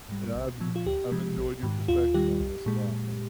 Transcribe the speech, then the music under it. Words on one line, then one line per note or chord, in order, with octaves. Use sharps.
and I've en I've enjoyed your perspective on this a lot, man.
G#2 G3
A#1
A#2 F3
F4
D2 G4
C3 F3 G#3
A#1
G#2 D#3
D#2 F4
D#3 G3 G4
C2
A#2 G#3